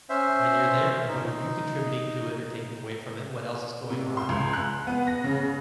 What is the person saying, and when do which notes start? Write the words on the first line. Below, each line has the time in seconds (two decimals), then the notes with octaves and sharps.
when you're there, what are you contributing to it or taking away from it, what else is going on,
0.09 C#4 C5 E5
1.08 D#4
3.90 C3
4.17 C6
4.29 C#2
4.53 F#6
4.87 B3
5.07 A#6
5.24 C#3